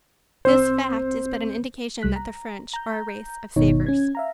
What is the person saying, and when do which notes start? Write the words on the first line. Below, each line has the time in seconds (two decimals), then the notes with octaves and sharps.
This fact is but an indication that the French are a race of savers.
0.45 C2 C4 C5 E6
2.02 C2 G3 F#6 B6
2.16 A#5
2.74 A#5 G6
3.56 G1 B2 D#3 D#4 C#5
3.86 C#4 G#6
4.15 E5 F5 A#5